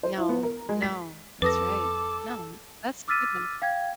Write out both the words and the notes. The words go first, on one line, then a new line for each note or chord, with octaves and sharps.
No, no, that's right. No, that's a good one.
C5
E4
B3
A#4
G#3
B6
F2 A4 B4 D6 D#6 A#6
D6 E6 F6 A6 B6 D#7
F5 G5 G#6